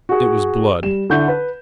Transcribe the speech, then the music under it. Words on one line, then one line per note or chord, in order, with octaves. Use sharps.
It was blood.
F#4 G#4
G3 E7
D3 E4 F#5 C#6 G6
B4